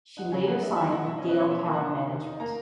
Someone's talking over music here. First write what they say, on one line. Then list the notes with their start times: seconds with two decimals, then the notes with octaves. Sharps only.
She later signed with Gail Cowan Management.
0.17 D#4 F#5
0.32 C#3 G#5
0.47 A#3 F#5
0.62 D#4 E5
0.76 F#3 E5
0.92 F#3 F#5
1.06 B2 E5
1.18 D#5
1.22 C#4
1.29 B4
1.36 C#4 C#5
1.50 B2 E5
1.66 A#3
1.73 F#5
1.80 B2
1.96 D#3
2.11 D#3
2.25 D#4
2.40 A#3 A#5